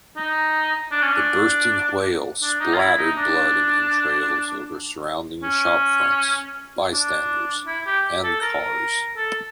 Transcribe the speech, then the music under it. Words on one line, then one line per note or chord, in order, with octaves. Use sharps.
The bursting whale splattered blood and entrails over surrounding shop fronts, bystanders, and cars.
D#4
D4
C#4
D4
D4
D#4
F4
E4
D#4
D4
C#4
D4
E4
G4
A4
A#4
A4